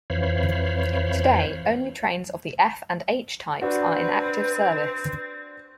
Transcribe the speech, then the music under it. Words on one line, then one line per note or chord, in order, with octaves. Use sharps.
Today, only trains of the F and H types are in active service.
F2 E3 C5 C#5 F5 B5
C4 D4 F#4 B4